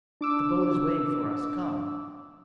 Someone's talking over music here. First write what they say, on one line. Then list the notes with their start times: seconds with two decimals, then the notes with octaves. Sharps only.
"The boat is waiting for us; come."
0.21 D4 D6 E6